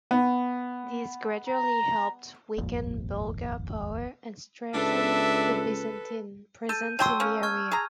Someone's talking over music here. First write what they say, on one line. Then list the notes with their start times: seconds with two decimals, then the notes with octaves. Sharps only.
These gradually helped weaken Bulgar power and strengthen the Byzantine presence in the area.
0.11 B3
1.48 A#5
2.58 D#1 G#1 F2 A#2
4.74 C#2 D4 A4 B4 E5
6.69 A4 G6 D#7
6.99 F#3 G5 A5 C6 C#6 E6
7.20 A#3 C#4
7.43 C#6 F6 G#6
7.71 G#4 A#5